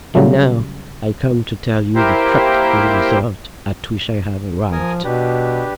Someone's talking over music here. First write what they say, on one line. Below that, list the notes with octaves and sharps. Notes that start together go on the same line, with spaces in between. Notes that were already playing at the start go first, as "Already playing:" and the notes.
And now I come to tell you the practical result at which I have arrived.
C#3 F#3 G3 A3
A#3 E4 G4 A#4 C5 G5
F3 A#4 G#5 D#6
B2 D4 G4 B4